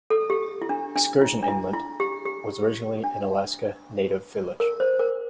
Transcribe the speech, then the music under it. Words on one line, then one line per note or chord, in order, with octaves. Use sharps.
Excursion Inlet was originally an Alaska Native village.
A4
G4
E4
D4
D4
E4
D4
E4
E4
G4
G4
D4
A#4
C5
A#4